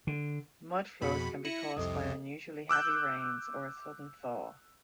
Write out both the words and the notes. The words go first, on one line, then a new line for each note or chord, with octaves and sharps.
Mudflows can be caused by unusually heavy rains or a sudden thaw.
D3
F2 B2 F#4 G#4 B5 C#7
E4 A#6 C#7 D#7 E7 F#7
C2 F2 C3 A4 D#5 D#6
D6 E6 F#6 G6